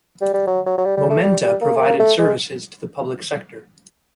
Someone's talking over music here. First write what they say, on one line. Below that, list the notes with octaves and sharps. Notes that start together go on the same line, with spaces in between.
Momenta provided services to the public sector.
G3
G3
F#3
F#3
F#3
G3
G3
A3
G3
G3
A#3
A3
A#3
A3
G#3